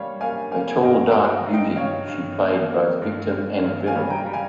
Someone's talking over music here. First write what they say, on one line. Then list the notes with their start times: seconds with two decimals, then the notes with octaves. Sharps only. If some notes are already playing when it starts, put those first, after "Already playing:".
A tall, dark beauty, she played both victim and villain.
Already playing: G3 A#3 C#5 F5
0.20 A#3 F5 G#5
0.51 A#3 F5 G#5
0.83 G2 D#5 G5
1.06 G5 A#5
1.14 G2
1.46 G2
1.54 D#5 G5
1.76 G2 C#5 F5
2.07 G2
2.39 A#3
2.70 A#3
3.02 G2
3.32 G2
3.64 G2
3.86 F5 G#5
3.95 G3
4.10 G5 A#5
4.26 G3
4.33 F5 G#5